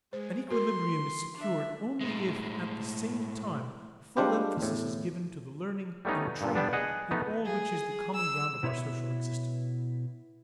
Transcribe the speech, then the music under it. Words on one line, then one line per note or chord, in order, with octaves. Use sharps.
An equilibrium is secured only if at the same time full emphasis is given to the learning and training in all which is the common ground of our social existence.
G#3 C5
F#4 A#4 C6
D4 E5
A2 G#3
G3 G#3 D4 F4 G4
E2 A2
G3 A3 B3 C#4 D#4
G2 A#2 D3
G3 B3 D4
G#4 D#5 F#5
A3 B3 D#4
G#4
E6
B2 E4 B4 C#5 E5